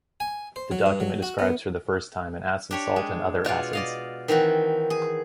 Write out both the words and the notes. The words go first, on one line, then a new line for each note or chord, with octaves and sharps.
The document describes, for the first time, an acid salt and other acids.
G#5
C5
F#3
G2
F#3
F#4
B3
D4 G4 C#5
G#3
B2 F4 C#5 D5
D5 D#5 F5
D#3 E3 C4 F#4
G#4